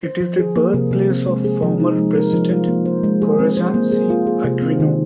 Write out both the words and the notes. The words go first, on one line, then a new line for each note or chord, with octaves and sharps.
It is the birthplace of former President Corazon C. Aquino.
C5
F3
G#4
A#3
C3
C3
C4
G#3
G#4
F3
D#4
G#3
A#4
F3
F4
A#3
C5
G#3
G#4
C4
C5
A#3
G#4
F4
G#4
C3
C4
D#3